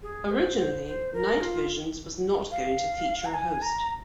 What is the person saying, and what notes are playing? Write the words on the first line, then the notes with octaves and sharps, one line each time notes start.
Originally, "Night Visions" was not going to feature a host.
G#4
C5
C5
C5
A#4
F4
F5
A#5
G#5
A#5